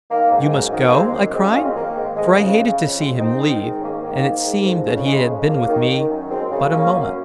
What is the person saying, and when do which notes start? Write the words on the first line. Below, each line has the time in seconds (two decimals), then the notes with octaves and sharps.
"You must go?" I cried, for I hated to see him leave and it seemed that he had been with me but a moment.
0.11 D#3 A#3
0.31 G#2
0.52 F#2
0.73 D#3
0.87 A#3
0.93 D#3 G#3 C4
1.14 F#2
1.34 G#2 G#3 C4
1.44 A#3 C#4
1.55 D#3 C#4 F4
1.65 G#3 C4
1.76 D#3 A#3
1.97 G#2 A#3
2.17 F2 G#3
2.38 C#3
2.59 C#3
2.78 F2
3.00 G#2 G#3 C4
3.20 D#3 C4 D#4
3.41 D#3
3.61 G#2
3.82 G#2 A#3 C#4
4.03 D#3 A#3
4.24 D#3
4.45 G#2
4.65 F2
4.86 C#3
5.06 C#3 G#3
5.27 F2
5.47 F#2 A#3
5.68 D#3
5.89 D#3
6.09 F#2
6.30 F#2 G#3 C4
6.51 C#3
6.71 C#3 A#3 C#4
6.93 F#2